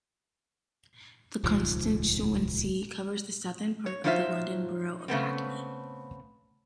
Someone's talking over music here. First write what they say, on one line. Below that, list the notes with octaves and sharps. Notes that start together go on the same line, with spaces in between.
The constituency covers the southern part of the London Borough of Hackney.
D#1 C#2 G#2 F3
C#5
F3 F#3 D#4 F4 C5 E5
C#3 A3 B3 C4